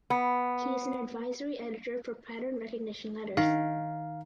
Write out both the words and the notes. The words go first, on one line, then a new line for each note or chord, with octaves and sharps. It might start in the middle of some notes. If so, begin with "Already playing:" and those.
He is an advisory editor for "Pattern Recognition Letters".
B3
D#3 F5